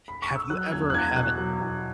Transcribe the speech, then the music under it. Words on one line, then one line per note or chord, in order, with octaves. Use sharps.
have you ever had a
B5
C#6
E6
F#3 F#6
E2 G#6
F#6
E2 G#6
B2 F#6
F#3
E2